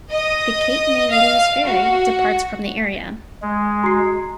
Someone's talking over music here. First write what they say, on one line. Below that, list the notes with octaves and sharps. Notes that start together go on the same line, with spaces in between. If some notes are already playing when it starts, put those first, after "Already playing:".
The Cape May-Lewes Ferry departs from the area.
D#5
F5
F#4
G#3
F#4 A#5 C7